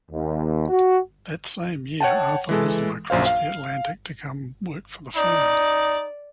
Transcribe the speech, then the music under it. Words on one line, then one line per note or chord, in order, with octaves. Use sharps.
That same year Arthur Lismer crossed the Atlantic to come work for the firm.
D#2
F#4
C#5 F#5 G5 A5
E3 G#3 A4
A#1 F#2 C5 F5
F5
D#4 D5